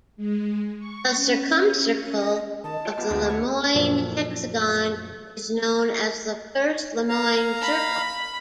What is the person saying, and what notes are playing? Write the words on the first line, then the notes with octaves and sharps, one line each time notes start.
The circumcircle of the Lemoine hexagon is known as the first Lemoine circle.
G#3
C#6
C#4
C#4
A#6
D#3 D#5 A5
F4 C#5 G5
E3 B3 F4 G4 F6
D2 G2
B4 C#5
F#2 A#2 F3 A4 D5
F5 A#5
B5